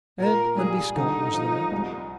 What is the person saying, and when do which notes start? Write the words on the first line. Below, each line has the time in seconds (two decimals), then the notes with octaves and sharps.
And Undy Scott was there.
0.19 A#2 A#4
0.57 G3 G#4
0.95 D3 D#4
1.34 F3
1.72 C2